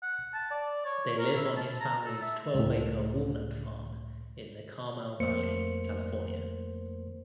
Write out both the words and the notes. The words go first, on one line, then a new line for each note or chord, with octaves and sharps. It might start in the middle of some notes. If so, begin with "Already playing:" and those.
They live on his family's twelve-acre walnut farm in the Carmel Valley, California.
F#5
A5
D5
C#5
A#4
E4
A5
A#5
A4
E5
C#2 A2
F2 A3 A#3 C5 C#7